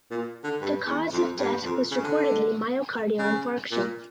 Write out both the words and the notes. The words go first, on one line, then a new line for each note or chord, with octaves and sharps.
The cause of death was reportedly myocardial infarction.
A#2
D3
G2
E2
F2
G2
F2
C#3
D3
C#3
A#2